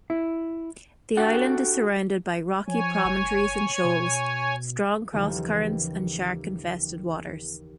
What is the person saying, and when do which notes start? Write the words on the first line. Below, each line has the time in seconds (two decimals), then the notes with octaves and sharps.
The island is surrounded by rocky promontories and shoals, strong cross-currents and shark-infested waters.
0.10 E4
1.17 D4 F#4 G4 A4 F#5
2.68 F3 C#5 G#5
3.05 F#1
3.85 B2
5.12 D#2 C#3 E3 F3 G3 A3